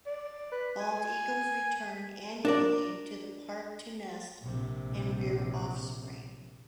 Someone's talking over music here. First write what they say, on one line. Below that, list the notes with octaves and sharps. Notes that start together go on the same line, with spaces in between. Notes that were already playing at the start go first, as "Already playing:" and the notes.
Bald eagles return annually to the park to nest and rear offspring.
D5
B4
G#5
D4 A#4 D5
A#1 C3